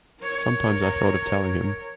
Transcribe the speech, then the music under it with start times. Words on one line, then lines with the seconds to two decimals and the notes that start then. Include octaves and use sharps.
Sometimes I thought of telling him.
0.20 A#4 C#5